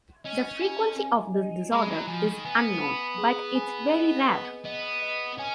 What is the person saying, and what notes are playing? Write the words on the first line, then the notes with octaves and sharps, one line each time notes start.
The frequency of this disorder is unknown, but it is very rare.
C#4 D#5
G#5
G#5
D#5
G#3 B5
F#3
F3 G#5
D#3
B3 G#5
B5
G#4
G#5
D#5
B4
B3 D#5
D#5
C#4 G#5